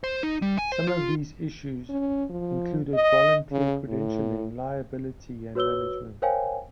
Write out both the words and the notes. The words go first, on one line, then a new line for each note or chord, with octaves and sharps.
Some of these issues included volunteer credentialing, liability, and management.
C5
D#4
G3
G#5
C5
F4
C#4
F3
D#5
C#3
A2
F#4 B4 C#5 E6 G7
A#4 C5 C#5 F5 G5 G#5